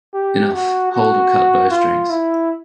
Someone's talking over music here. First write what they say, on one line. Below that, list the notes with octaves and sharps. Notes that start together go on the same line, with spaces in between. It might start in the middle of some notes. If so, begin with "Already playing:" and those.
Enough; hold or cut bow-strings.
G4
F#4
F#4
F4
E4